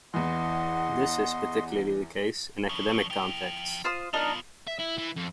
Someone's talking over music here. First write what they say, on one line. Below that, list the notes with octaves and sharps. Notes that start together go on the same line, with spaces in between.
This is particularly the case in academic contexts.
E2 E3 D#5 F#5 C6
F3 C#4
F3 G5
F4 C5 D#6
B3 D4 D#4 F4 A#4
E5
E4
E3
F2